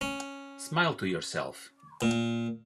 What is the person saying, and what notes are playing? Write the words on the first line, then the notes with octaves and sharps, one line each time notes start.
Smile to yourself.
C#4
A#2